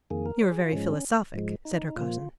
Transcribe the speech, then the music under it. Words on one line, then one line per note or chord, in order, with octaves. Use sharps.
"You're very philosophic," said her cousin.
F2 D#3 A#3 G#4
A#4
C#5
G#4
F4
G#2 F3 G#3 C#4
G#2 F3 G#3
D#4
D#4
A#2 F3 A#3 F4